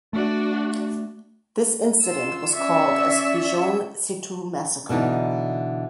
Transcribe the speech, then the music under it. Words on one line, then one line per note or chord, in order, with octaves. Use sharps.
This incident was called as Bijon Setu massacre.
A3 D4 F#4
F4 E6
C#4 D5 E5 C#6 E6
B2 D3 E3 D#4